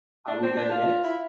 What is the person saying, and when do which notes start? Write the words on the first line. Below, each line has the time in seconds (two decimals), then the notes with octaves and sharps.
Are We There Yet?
0.27 D4
0.43 C4
0.57 D4
0.71 F4
1.04 E4